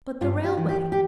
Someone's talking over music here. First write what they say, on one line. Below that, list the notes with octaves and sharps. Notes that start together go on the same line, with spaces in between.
"But the railway!"
G2 F4
G4
E3
G4
G4